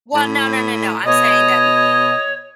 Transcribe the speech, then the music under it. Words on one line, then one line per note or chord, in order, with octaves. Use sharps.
well, no, no, no, no, I'm saying that
A2
B2 C#5 D#5